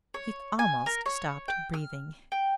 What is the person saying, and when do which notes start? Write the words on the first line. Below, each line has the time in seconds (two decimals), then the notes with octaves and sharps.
He almost stopped breathing.
0.14 C#5
0.59 G#5
0.86 A#4
1.06 C#5
1.48 G5
1.74 F6
2.32 G5